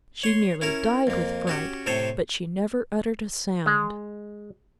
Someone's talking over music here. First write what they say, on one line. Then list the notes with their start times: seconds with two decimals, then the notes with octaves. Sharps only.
She nearly died with fright, but she never uttered a sound.
0.23 C#5 C6
0.61 C#4 E4 A#4
1.07 F2 A#3
1.47 C#4 F#4 G4
1.86 A2 C3 A4 C5 C#5
3.66 G#3